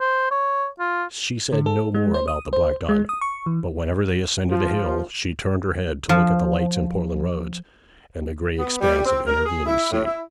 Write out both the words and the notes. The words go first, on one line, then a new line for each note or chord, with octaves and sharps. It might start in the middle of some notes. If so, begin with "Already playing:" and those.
She said no more about the Black Diamond; but whenever they ascended a hill she turned her head to look at the lights in Portland Roads, and the grey expanse of intervening sea.
C5
C#5
F4
D3
A4
G#3
C5
D#6
C5
G#3
D#6
C#6
E3
F3 F4
F3
B3
G3
C4
A#4
G#4
E4
A2
E4